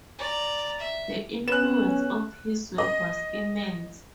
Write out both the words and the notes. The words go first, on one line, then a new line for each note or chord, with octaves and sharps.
The influence of his work was immense.
D5 A#5
E5
B3 C#4 F#6 E7
D#5